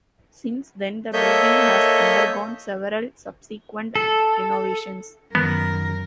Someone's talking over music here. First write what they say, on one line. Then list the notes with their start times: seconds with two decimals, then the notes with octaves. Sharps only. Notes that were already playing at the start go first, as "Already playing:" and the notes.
Since then, the building has undergone several subsequent renovations.
1.13 A#3 A4 C#5 D#5 E5 G6
3.96 A4
5.35 F#2 D#3 B3 A#4